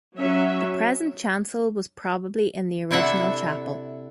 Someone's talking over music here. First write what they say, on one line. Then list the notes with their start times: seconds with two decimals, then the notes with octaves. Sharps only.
The present chancel was probably in the original chapel.
0.17 F#3 C#4 E5
2.91 C3 D4 E4 A4 E5 F#5